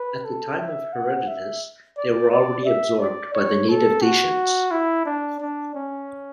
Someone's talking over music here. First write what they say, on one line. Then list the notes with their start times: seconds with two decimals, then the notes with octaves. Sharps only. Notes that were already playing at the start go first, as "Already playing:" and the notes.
At the time of Herodotus they were already absorbed by the native Dacians.
Already playing: B4
0.25 A4
0.59 E5
0.93 F#5
1.28 E5
1.97 D5
2.31 D5
2.65 E5
2.99 D5
3.34 C#5
3.69 A4
4.02 F#4
4.71 E4
5.06 D4
5.40 D4
5.75 C#4